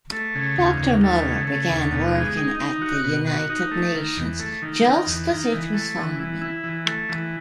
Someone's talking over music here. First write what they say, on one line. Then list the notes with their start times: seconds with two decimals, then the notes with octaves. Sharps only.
Doctor Muller began working at the United Nations just as it was forming.
0.12 A3
0.35 C#3
0.57 D#2
0.80 D#2
1.03 A3
1.25 C#3
1.48 A3
1.70 D#2
1.92 B2
2.14 G#3
2.37 D#4
2.60 D#4
2.82 F#4
3.04 B2
3.27 F#4
3.50 D#4
3.71 A3
3.94 D#3
4.17 E2
4.39 A3
4.62 D#3
4.85 D#3
5.07 E2
5.29 D#3
5.52 E3
5.74 A3
5.97 E3
6.19 E3
6.42 E4
6.64 E3
6.86 A3
7.09 E3